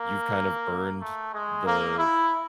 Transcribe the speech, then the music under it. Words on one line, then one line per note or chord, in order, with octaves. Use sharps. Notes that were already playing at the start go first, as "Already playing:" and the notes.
you've kind of earned the
Already playing: A#3
A3
G#3
A#3
E4